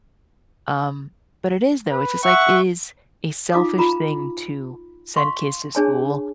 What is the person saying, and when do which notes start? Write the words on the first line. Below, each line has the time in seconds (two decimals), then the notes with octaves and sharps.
um but it is, though, it's just, like, it is a selfish thing to send kids to school,
1.91 B4
2.24 E5 F#5 C#6
3.52 D#4 F4 F5 D6 D#6
3.78 F4 A#5 B5
5.16 F5 C6 C#6
5.75 D4 G#4 C#5 G#5 A5